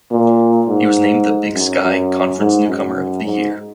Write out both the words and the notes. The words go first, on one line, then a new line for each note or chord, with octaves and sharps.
He was named the Big Sky Conference Newcomer of the Year.
A#2
G#2
F#2
F#2
G#2
F#2
G#2